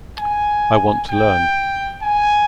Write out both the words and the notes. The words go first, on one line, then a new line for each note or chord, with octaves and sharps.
I want to learn.
G#5
G5
G#5